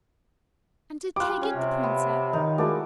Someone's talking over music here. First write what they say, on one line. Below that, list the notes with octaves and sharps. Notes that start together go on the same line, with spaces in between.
"And did Kay get the Princess?"
G3 F4 D6 F#6
C#4 C#5
C3
B3
D#3 D#4
G#3 E4 F#4 A#4 D5 A5